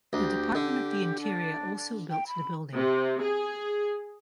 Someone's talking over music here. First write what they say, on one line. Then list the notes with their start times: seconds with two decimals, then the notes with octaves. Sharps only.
The Department of the Interior also built the building.
0.13 D2 G4
0.55 D3
1.20 D4
2.10 G5
2.27 B5
2.75 C3
3.22 G#4